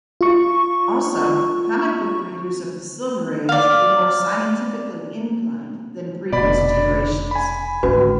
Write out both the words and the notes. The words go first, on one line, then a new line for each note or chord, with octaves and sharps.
Also, comic book readers of the Silver Age were more scientifically-inclined than previous generations.
F4 C#6
D5 F5
F1 B2 D5 B5
G#5 B5
G#1 D2 C#4 F#4 B4